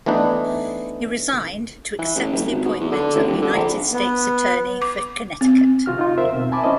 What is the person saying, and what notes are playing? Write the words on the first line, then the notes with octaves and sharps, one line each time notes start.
He resigned to accept the appointment of United States attorney for Connecticut.
E3 A3 B3 D4 D#4
E3
A1
F#1
G#1
B2
E2
D3
A1
D#1
D3
A#1
B3
D6
C4
C3 F4 F#4 F6
D#4 F4
A#4 C5 E5
B2 C4
E5 G#5 A5 B5 D6
C#4 E4 C5 D#5